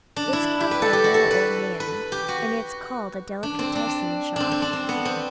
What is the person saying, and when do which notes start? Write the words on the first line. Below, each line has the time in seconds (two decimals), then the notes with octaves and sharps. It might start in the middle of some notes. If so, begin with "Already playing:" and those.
It's kept by a little old man, and it's called a Delicatessen Shop.
0.16 D4
0.33 E4
0.60 G4
0.71 B4
0.82 A4
0.93 G4
1.04 F#4
1.14 A4
1.31 B4
1.80 B4
2.12 G4
2.28 F#4
3.43 D4
3.59 C4
3.75 D4
4.36 C4 D4
4.52 C4
4.62 D4
4.73 C4
4.89 B3
5.05 C4